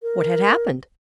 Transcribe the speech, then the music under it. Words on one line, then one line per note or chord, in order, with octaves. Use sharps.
What had happened?
A#4